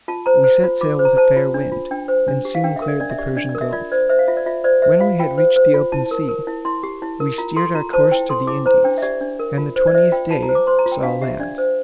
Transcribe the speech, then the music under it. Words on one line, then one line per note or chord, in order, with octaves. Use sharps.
We set sail with a fair wind, and soon cleared the Persian gulf; when we had reached the open sea, we steered our course to the Indies; and the twentieth day saw land.
F4 A5
C5 A#5
C5
F4
F4 D6
C5
A#5
C5 A5
F4
D4
F4
D4 G5
C5
D4
G4
F5
D4 G5
E5
A#4
D5
D4 D5
E5
G4 D5
D4 D5
D5
A#4
E5
F4 D5
C5 D5
C5 E5
F5
F4 E5
D5
F4 E5
C5 D5
C5 E5
F4 F5
F4 G5
C5
C5
F4
E4 A5
A#4
A#4
E4
E4 C6
G4
E4
A#4
F4 A#5
A4 C6
F4 A#5
C5 A5
E4 G5
A4 C6
E4 D6
C5 A#5
D4 G5
E5
G4 D5
D4
A#4
F4
C5
D5
C5 E5
F4 G5
F4 A5
A#5
C5
D6
C5 C6
A#5
F4
G5
D4 F5
G4 E5
D4 D5
C5